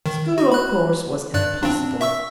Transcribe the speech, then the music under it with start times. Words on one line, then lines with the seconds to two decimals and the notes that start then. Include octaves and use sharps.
School, of course, was impossible.
0.06 D#3
0.38 F#4
0.52 B5 F#6
1.34 G2 D5 F#6
1.63 C4 D4
2.01 E5 C#6 E6